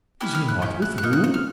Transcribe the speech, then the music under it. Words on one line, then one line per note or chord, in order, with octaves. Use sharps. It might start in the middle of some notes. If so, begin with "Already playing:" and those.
"Is he not with you?"
C#4 E4 G4 F#6
F6
F#6
C#4 E4 G4 G6
F#6
F#6
A#3 D#4 F6
F#6
F#6
F6